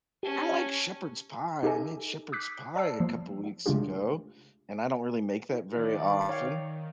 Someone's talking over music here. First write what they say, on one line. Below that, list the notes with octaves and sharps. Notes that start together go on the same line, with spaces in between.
I like shepherd's pie, I made shepherd's pie a couple weeks ago, and I don't really make that very often,
C#4 G4 A5
D#4 G4 A4 D#5 G#5
D6 D#6 F#6 B6
D5 A5 E6 C7
F3 A#3
C#3 G#3 A3 D4 F4 G4
D#3 D5
C#5 F5 G5